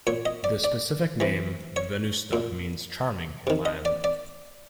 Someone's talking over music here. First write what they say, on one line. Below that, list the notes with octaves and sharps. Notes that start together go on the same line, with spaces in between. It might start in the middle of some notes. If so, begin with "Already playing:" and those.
The specific name, "venusta", means "charming" in Latin.
A#2 C#5
D#5
D5
D5
C3 E3
C#5
A#2
C3 D#3
D#5
D5
D5